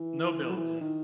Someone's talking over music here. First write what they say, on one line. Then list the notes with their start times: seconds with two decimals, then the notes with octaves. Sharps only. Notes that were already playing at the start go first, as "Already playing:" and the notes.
No build, yeah.
Already playing: E3
0.43 E3
0.50 F#3
0.57 E3
0.81 D#3